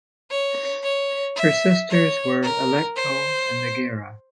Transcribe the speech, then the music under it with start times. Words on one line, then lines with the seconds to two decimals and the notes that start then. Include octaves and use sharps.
Her sisters were Alecto and Megaera.
0.31 C#5
0.84 C#5
1.36 E5
1.90 C#5
2.43 A#4
2.96 C5